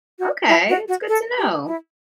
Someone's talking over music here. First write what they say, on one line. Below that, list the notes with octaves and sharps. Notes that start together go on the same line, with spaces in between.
Okay. It's good to know.
F#4
E4
F#4
F#4
A4
G4
E4